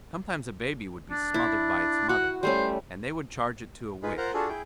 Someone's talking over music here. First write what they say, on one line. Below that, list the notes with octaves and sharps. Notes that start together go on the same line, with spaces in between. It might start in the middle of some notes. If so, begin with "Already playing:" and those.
Sometimes a baby would be smothered by its mother, and they would charge it to a witch.
D4
E4
F#4 F#5
G3 A3 C#4 C5
D#4 F4 G#4 B4
F4 A#4 C5 F#5 A#5
D4 F4 F#4 G#4 A4
E4 G#4 G5